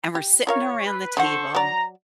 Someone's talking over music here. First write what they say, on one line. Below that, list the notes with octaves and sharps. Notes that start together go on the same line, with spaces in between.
and we're sitting around the table,
G4
F4 A#4 C#5 F5
B4
D3 F3 A4 C5 F#5 C#6
F#3 D5 A#5